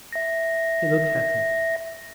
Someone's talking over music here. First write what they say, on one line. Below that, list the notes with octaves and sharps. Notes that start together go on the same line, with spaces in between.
He looked at it.
E5 A#6